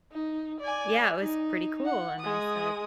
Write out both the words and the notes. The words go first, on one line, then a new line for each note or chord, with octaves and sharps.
Yeah. It was pretty cool, and I said,
D#4
D5 G#5
D#4
F#5
G#3 D#6